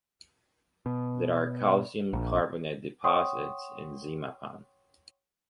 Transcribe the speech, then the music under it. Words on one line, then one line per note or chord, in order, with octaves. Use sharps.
There are calcium carbonate deposits in Zimapan.
B2
A#1
C#5 F#5 G5 C6 C#6 D#6